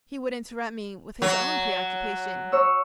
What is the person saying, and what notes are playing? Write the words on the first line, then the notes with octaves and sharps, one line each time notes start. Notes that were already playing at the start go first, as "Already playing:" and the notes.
He would interrupt me with his own preoccupation.
F#3
C#5 E6